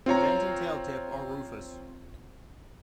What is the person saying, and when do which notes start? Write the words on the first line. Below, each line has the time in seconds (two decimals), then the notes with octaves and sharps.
The vent and tail-tip are rufous.
0.06 C4 F4 C#5 A#5